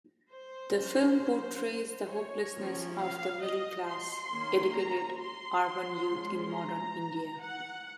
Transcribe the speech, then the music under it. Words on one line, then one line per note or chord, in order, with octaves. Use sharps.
The film portrays the hopelessness of the middle-class, educated, urban youth in modern India.
C5
F#3 A#3 C#4
C#5
F3 A#3 C#4
F5
D#5
C6
D#3 A#3 C#4
A#5
C6
F3 G#3 C#4
A#5
F#5